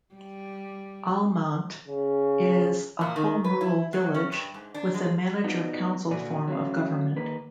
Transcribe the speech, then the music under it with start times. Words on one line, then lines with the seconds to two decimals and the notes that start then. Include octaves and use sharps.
Almont is a home rule village with a manager-council form of government.
0.15 G3
1.88 C#3
3.01 A#2
3.16 D#3
3.44 B4
3.61 E4
3.93 F#3
4.14 C#4
4.32 G2
4.54 G#2
4.74 D4
4.94 G#3
5.44 B3 D4 D#4 F4 F#4
6.11 A#2 D3 F#4 D5 G#5
6.48 F#3 A3 C#4 F5
7.16 D#3 A#3 B4